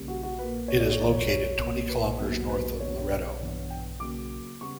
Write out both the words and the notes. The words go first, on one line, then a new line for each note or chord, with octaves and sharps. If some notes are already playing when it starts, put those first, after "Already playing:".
It is located twenty kilometers north of Loreto.
Already playing: C#3 G3 A#3
F#4
F#4
A#2 A#3 B4
C#5
D5
C#5
E2 B2 F#3 D5
C#5
C#5
A#2 A#3
B4
E2 B2 F#3 A#3
B4
E2 D3 G3 B3 C#5
G2 E3 B3
G5
C#3 F#3 A#3 D6
C#3 G3 B3 C#6